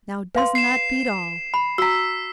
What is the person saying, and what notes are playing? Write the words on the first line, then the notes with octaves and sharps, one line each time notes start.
Now, doesn't that beat all?
B4 F5 C6
C7 E7
B5
F#4 A#5 E6 B6